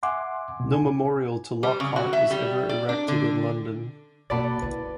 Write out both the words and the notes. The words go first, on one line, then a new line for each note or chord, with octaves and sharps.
No memorial to Lockhart was ever erected in London.
E5 F#5 G#5 C6 D6
C2 B2
G#5
G3
C#3
F#4
E5
G3
D5
D4
D3
F#2 B2 A#3 F#4 A4 D5 B5 A6
A#3 E4 B4